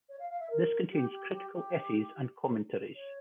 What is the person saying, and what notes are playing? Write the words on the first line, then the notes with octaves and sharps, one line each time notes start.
This contains critical essays and commentaries.
C#5
F5
F5
E5
A#4
G4
G4
G4
G4
C#5